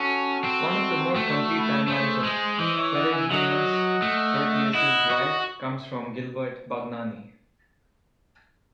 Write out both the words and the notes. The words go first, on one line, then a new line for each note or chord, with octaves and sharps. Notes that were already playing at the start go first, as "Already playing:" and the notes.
One of the more complete timelines of Peregrinus Proteus' life comes from Gilbert Bagnani.
Already playing: C#4 F#4 A4
C4
A3
E4
F#4
G#4
A4
A3 G#4 C5
G#3
E3 C5 D#5
C#5 E5
D#5 F#5
E5 G#5
F#3 D#5 F#5
A3
D#5
E5
E4 D#5 F#5
F#4